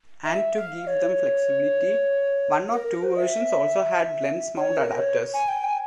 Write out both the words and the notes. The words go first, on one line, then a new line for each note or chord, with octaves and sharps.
And to give them flexibility, one or two versions also had lens mount adapters.
E5
F5
C#5
A#4
A#4
C5
E5
C#5
A#4
C#5
G#5
G5
G#5